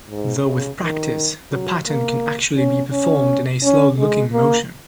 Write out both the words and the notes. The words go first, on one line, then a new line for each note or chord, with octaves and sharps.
Though with practice, the pattern can actually be performed in a slow-looking motion.
G#2
C#3
D#3
F#3
A#3
C#4
C#4
C#4
G#3
A#3